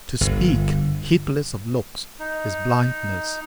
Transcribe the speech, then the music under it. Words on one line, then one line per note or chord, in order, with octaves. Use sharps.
To speak heedless of looks is blindness.
G1
D#4